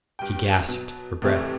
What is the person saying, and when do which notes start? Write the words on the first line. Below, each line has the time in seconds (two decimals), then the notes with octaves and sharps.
She gasped for breath.
0.19 G2 G5
0.69 B2 F#3
1.22 A2 C3 D#3 E3 G3 A3